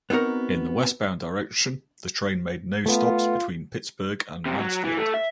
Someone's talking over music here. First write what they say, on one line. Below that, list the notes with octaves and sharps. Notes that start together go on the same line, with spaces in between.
In the westbound direction the train made no stops between Pittsburgh and Mansfield.
B3 C4 D#4 F#4 A#4
A3 B3 F4
C2 C3
F#3
E3
A3
E5